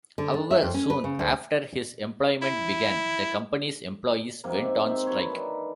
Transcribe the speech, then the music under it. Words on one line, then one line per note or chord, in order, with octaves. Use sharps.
However, soon after his employment began, the company's employees went on strike.
D3
D4
E5
F2
C#4
B4
C#3
D2
E4
G#2 C3 A#3
E5
C4 C5 E5
F#3 B4 C#5 C6
D#3 E3 D4